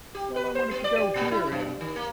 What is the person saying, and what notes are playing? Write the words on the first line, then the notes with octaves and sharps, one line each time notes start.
"Well, I wanted to go here and
G4
B4
C5
B3
D5
G4
A#2
E4
F#2
D#3
A#3